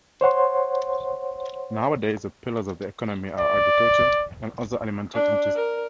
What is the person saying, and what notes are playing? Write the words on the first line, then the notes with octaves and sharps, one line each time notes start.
Nowadays, the pillars of the economy are agriculture and other alimentary industries, and construction.
C5 C#5 F#5 C6
D5
D4
A#4